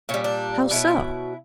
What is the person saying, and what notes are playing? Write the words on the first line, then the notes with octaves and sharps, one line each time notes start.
"How so?"
A#2 G3 C#4
D4
B2 F#3 E4